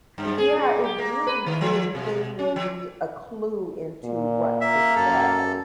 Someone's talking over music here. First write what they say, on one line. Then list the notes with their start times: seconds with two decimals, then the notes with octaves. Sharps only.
Yeah, it really did, you gave me a clue into what to say.
0.18 G2
0.38 G#4
0.56 A#2
0.84 G4
0.98 A#3
1.27 B4
1.46 D#3
1.61 F3
1.95 B2
2.39 C#4
2.56 F3
4.04 A#2
4.61 A#3 E5
4.96 F#2 A4